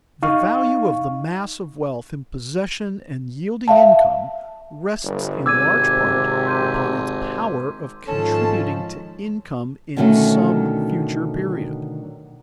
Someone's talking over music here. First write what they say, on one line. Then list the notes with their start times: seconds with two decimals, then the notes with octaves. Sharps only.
The value of the mass of wealth in possession and yielding income, rests in large part upon its power of contributing to income in some future period.
0.22 D#4 F5 C#6
3.68 E5 F5 A5
5.03 G1
5.46 G#1 C3 D6 E6 G#6 D#7
6.46 C6 G6 D#7
8.07 G#2 D#3 F3 C#4 A4 A5
9.97 B2 D3 D#3 F#3 A3 C#4